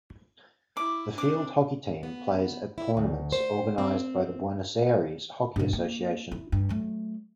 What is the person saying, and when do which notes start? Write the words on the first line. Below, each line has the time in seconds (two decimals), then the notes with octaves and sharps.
The field hockey team plays at tournaments organised by the Buenos Aires Hockey Association.
0.77 E4 D6
1.18 C4 D4 D6
2.03 B3
2.78 E4
2.97 D2
3.32 C5
3.78 C4
5.56 G2 B2
5.73 A#3
6.32 E4
6.52 G2
6.69 F#3 A3